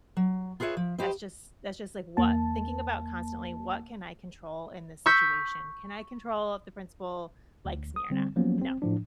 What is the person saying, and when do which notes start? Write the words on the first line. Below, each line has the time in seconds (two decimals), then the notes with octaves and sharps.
that's just that's just like, what thinking about constantly, "What can I control in this situation? Can I control if the principal likes me or not? No.
0.17 F#3
0.60 F4 G#4 B4 C#5 E5
0.77 F3
0.98 G4 B4 C5 D#5
2.17 E2 A#3 A5
5.06 C#6 E6 G6 B6
7.65 D2
7.96 D#6
8.10 D3 G3 C4
8.36 F3 F#3 A#3 B3 C#4
8.61 G1 C4
8.82 A2 F3 D4